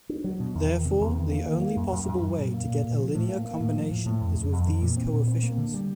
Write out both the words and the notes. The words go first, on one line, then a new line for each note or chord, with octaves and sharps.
Therefore, the only possible way to get a linear combination is with these coefficients.
D4
F#3
B2
E2
D#3
C3
E2
D#3
A#3
D#3
A#3
F#2
F#2
F#2
F#2
A#2
A#3
A#2
A#2
F3
A2
A#3
A#3
A2
F3
A2
A2
F2
F2
F2
E3
A#2
C4
A#2
C4
A#3
D3
G3